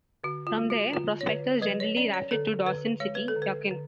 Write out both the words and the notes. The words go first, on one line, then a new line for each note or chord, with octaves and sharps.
From there, prospectors generally rafted to Dawson City, Yukon.
D3 F#4
F4
G#3
F#4
D3 F4
C#5
D3 B4
F#3 B4
C#5
C#4 D5
C#5
D3 A4
D3 B4
G#3 C#5
B4
A4
D3
B4
D3